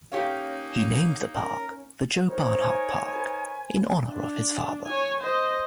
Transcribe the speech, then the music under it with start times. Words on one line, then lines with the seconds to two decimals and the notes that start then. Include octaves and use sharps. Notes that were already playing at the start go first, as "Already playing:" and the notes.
He named the park the Joe Barnhart Park in honor of his father.
0.12 A#3 C#4 D#4 G4 C#5 F5
1.35 C#4 A#4
2.28 D#4 A#4 C5 C#5
2.59 G#5
3.13 B4 A5 C6
4.10 D4
4.86 C#5 G#5
5.20 C5 D#5